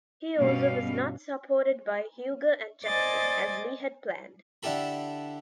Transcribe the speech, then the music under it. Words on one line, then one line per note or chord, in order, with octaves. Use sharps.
He also was not supported by Huger and Jackson, as Lee had planned.
G2 B2 G3 C#4 F5
C5 D5 D#5 G#5 A6
D3 D4 E4 G4 A4 B5